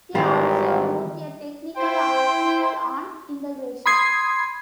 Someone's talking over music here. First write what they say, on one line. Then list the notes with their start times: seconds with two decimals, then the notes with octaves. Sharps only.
He also wrote a technical article on integration.
0.15 G#1 D#3 E3 G3 F4 G4 A#5
1.76 E4 C5 G5 C6
3.86 B5 C6 D#6 G#6 C7